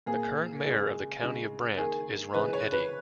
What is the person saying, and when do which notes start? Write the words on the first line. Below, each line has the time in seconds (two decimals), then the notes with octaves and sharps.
The current mayor of the County of Brant is Ron Eddy.
0.06 A#2 A#3 G#4
0.64 C#3 G#3
1.20 C#3 G#3
1.77 D#3 A#3 G#4
2.34 C#3 E3 G#3 B4
2.53 C#5
2.72 B4